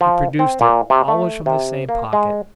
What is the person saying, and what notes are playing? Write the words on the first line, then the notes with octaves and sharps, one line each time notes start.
He produced it--always from the same pocket.
F3
C4
A#2
C3
A3
C3
A#3
G#3